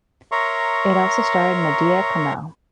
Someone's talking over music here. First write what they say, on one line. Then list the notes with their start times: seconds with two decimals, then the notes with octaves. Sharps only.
It also starred Madiha Kamel.
0.32 A#4 C#5 E5 A#5 C6 C#6